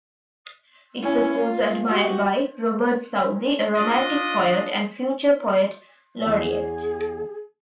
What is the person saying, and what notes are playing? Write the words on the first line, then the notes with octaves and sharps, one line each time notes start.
It was also admired by Robert Southey, a Romantic poet and future poet laureate.
C#4 E4
F4
F#4 G4
D4 F4 D#5
E2 G#4